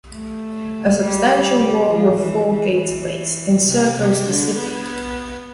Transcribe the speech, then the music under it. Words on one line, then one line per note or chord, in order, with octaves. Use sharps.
A substantial wall with four gateways encircles the city.
A3
G3
F3
E3
E3
E3
C3
C3
D3
B3